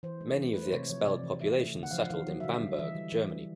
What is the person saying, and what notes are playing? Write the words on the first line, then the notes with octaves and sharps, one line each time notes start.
Many of the expelled population settled in Bamberg, Germany.
E3 C5
G#3
E3
A3 B4
C5
C3 C#5
F3 C#5
C3 D5
E3
E3 E5
A3
D3
F#5
F3 F5
F#5
D#3 F5
F#3
E5
D3 F5
G3
D#5
E3 E5
G3
E3
G3